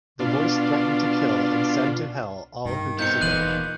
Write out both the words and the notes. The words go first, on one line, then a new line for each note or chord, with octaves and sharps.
The voice threatened to kill and send to Hell all who disobey.
B2 D4 F4
G2 D#3
C3 B3 D#4 G6 C#7
E1 A#2 E3 F#6 D#7 F#7